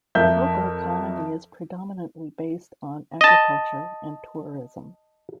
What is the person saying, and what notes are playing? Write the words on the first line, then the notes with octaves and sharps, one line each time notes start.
The local economy is predominantly based on agriculture and tourism.
F2 A#4 E5 G6
D#5 A5